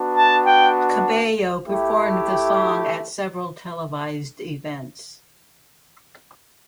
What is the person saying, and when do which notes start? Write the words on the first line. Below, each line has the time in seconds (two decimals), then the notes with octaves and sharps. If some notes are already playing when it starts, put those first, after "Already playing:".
Cabello performed the song at several televised events.
Already playing: B3 D4 F#4
0.17 A5
0.46 G5
1.66 A3 E4 G4